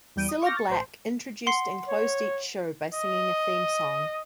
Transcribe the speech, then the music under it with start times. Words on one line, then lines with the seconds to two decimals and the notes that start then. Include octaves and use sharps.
Cilla Black introduced and closed each show by singing a theme song.
0.16 E2 G3 G6 D7 D#7
0.28 D#6
0.41 C#6 D6 F6 G6 A#6
0.57 A6 C#7
0.69 A1 C5 C6
1.46 F#5 C6 C7
1.88 C#5
2.93 D#5